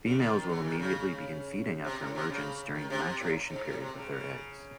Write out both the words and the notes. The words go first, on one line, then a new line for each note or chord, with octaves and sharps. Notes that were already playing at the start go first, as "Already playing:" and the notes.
Females will immediately begin feeding after emergence during the maturation period of their eggs.
C#3
D#3
D#3
E3
D#3
C#3
C3
A2
C3
C#3
D#3
C3
C3
A2
G#2
A2
C3
C#3
C#3